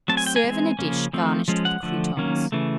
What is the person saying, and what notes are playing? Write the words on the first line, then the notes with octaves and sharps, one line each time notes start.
Serve in a dish garnished with croutons.
F#3 A3 C4 A5
G#5
G5
G#5
E3 G#3 C4
C#3 F3 A#3 C#4
F3 A3 C4
F3 G#3 C#4
F#5
D3 F3 A3
D#3 F#3 A#3 C#4
C#3 E3 A3